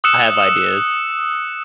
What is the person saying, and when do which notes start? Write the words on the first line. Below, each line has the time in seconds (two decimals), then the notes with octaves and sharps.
I have ideas.
0.04 D#6 E6 F#6 C#7 E7